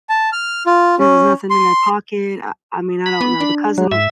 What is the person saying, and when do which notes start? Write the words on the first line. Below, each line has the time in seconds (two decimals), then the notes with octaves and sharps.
there was nothing in their pocket, uh, I mean, I don't know the cousin
0.09 A5
0.33 F6
0.66 F4
0.99 C#4
1.50 C6
3.06 B5
3.21 B3
3.40 D4
3.78 F#3
3.91 G#2 E5